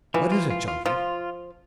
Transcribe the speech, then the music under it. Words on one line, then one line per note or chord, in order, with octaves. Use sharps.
"What is it, Chunky?"
E3 F3
F4
F4
F4
F3 F4